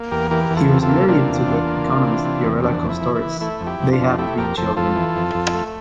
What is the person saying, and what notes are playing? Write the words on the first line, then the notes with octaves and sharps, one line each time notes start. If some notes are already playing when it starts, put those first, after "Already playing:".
He was married to the economist Fiorella Kostoris; they have three children.
Already playing: A#3
E2 G4 A#4
E3 G4 A#4
E2
F4 A4
C3
F4 A4
A#3
C3 D4 F4
E2
E2
A#3
C3
E3
C3
E2
F2 D4
F2
E4
E3
E4
E3
A3 E4
F2
E4 G4
F2
D4 F4
F2
A3 E4 G4
F2 G4 A#4
F2 A4 C5
F2 F4 A4
E3
F2
F2
A3